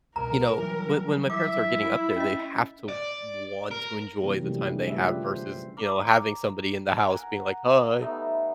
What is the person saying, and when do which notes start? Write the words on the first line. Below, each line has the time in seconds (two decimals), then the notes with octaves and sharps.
you know, when when my parents are getting up there, they have to want to enjoy the time they have versus, you know, having somebody in the house being like, "Hi,
0.16 C2 B2 A#4 A#5
0.59 E3 F#3 G3
1.30 E4 E5 D6
2.16 C#4 D#5
2.88 D5
3.71 A#4
4.23 C3 E3 F#3 A#3 C4
4.42 C3 E3 F3 G3 A3 C#4
4.71 G3 D4 G#4
4.85 D3 A3 B4 E5
4.96 C#4 F4 G4 D5
5.24 C5
5.77 A#4 D6
7.03 A#4 F#5 G#5
8.00 G3 A3 B3 D#4